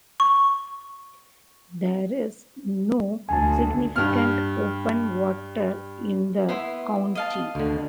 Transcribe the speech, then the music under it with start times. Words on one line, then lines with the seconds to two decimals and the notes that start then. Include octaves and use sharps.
There is no significant open water in the county.
0.20 C#6
3.29 D2 G#5 A5
3.96 G2 F6
6.49 B3 E4 C6
7.15 D#5 F5 A5
7.55 D2 D3